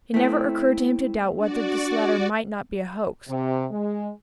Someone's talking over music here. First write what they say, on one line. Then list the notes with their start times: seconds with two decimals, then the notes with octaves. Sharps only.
It never occurred to him to doubt whether this letter might not be a hoax.
0.14 A3 C4 E4
1.38 D4 F#4 D5
3.29 C3
3.71 G#3